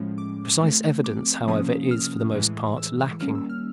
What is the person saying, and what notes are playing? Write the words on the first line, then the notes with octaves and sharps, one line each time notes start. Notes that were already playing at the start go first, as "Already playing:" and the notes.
Precise evidence, however, is, for the most part, lacking.
Already playing: A2 F3 G#3 C#4
D6
F3 A3 C4
D6
C3 F3 A#3 C#4 D#6
F6
A2 E3 G#3
E6
D#3 G3 A#3 C#4 F6
E6
F6